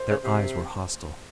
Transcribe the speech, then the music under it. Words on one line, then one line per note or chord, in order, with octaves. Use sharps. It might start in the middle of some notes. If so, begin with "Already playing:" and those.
Their eyes were hostile.
Already playing: C5
C#3
C3